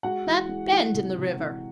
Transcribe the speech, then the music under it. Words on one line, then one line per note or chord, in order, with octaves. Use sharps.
"That bend in the river."
G#3 F#4 F#5
E3
G#3
E3
C3
C3
E3